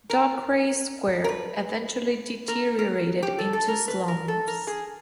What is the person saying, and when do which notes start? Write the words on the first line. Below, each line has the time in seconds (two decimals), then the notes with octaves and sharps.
Dockwray Square eventually deteriorated into slums.
0.10 A#4
1.24 A#4
1.29 B4
2.48 A#4
2.79 A#4
3.23 G4
3.39 A4
3.53 A4
3.68 A#4
3.88 B4
4.08 A#4
4.28 A4
4.48 A#4
4.67 G#4